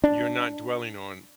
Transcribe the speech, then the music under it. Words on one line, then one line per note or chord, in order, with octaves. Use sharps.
you're not dwelling on
D4